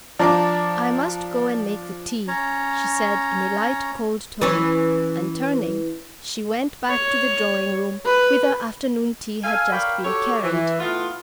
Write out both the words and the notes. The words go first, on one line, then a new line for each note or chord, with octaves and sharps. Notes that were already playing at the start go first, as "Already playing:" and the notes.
"I must go and make the tea," she said, in a light, cold tone, and turning, she went back to the drawing-room, whither afternoon tea had just been carried.
F3 D4 D5 A5 A#5 D6
C#4 C#5 A#5
E3 C#4
C#5
B4
A4 F5 G#5
A#4 C#5 D5 F5 G5 B5
F#4 G4 A4 C#5
E3
A3 B3 E4 F4